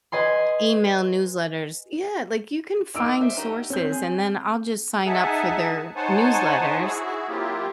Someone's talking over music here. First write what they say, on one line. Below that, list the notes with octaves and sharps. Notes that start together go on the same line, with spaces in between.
email newsletters yeah, like, you can find sources, and then I'll just sign up for their newsletters
B4 D#5 G#5 C6
A#3 D#4 D6 E6 D7
C5 E5
D#4 F#4 G4
C4 C#5 G6
G#4
D#4 G#4 E5 F#5 G#5 A5
D#4 C5 C#5 F#5 G#5 A5
E4 F#4 G#4
F#3 A#3 C4 E4 F4 G4